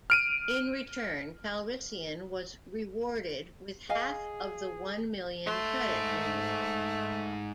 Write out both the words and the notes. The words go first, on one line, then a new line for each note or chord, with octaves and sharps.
In return, Calrissian was rewarded with half of the one million credit reward.
F6 D7 D#7
G#4 D#5 F5 G#5
G#2 A3 C6